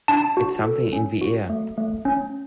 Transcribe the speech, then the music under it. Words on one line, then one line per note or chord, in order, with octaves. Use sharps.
It's something in the air.
D4 A5
F#4
A4
C#4
F#4
A3
A3
C#4